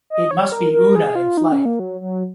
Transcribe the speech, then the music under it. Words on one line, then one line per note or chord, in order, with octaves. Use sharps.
It must be Oona in flight.
D#5
C#5
A#4
A#4
G#4
F4
D#4
C#4
A#3
F#3
F#3